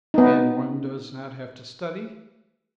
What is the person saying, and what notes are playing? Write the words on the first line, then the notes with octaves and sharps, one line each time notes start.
"And one does not have to study?"
B3 D#4